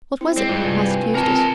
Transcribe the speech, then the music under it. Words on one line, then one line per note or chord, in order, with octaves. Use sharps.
"What was it?" asked Eustace.
C4 E4
G#3 C4 D5
G2 F4
C3 B4 G#5
C4 F4 A#4 A5
G#5